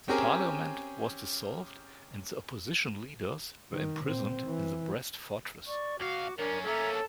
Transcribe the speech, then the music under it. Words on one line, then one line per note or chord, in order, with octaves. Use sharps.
The parliament was dissolved, and the opposition leaders were imprisoned in the Brest Fortress.
C4 C#4 G4 G#4 A#4
D#3
A#2 C4
E3
D5 C#6
C#2 F#4 F5 D6
F#2 C#4 D4 A#4
A#3 C#4 A4 E5 A#5 D6
A5